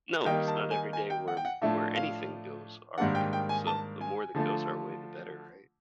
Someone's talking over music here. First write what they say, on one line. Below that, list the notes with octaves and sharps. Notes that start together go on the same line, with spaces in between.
No, it's not every day where where anything goes our way, so the more that goes our way, the better, right?
D#3 G3 A#3 D#4 G5
A5
G#5
G#5
G5
F#5
G5
F#5
A2 F3 A3 D4 E5
F5
G#2 D#3 G3 A#3 D4 F#5
G5
G5
G#5
A5
G#5
D3 F3 A3